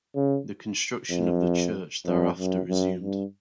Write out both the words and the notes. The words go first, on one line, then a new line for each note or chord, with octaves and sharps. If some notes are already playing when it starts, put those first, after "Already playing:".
The construction of the church thereafter resumed.
C#3
F2
F2
F#2
F#2
G2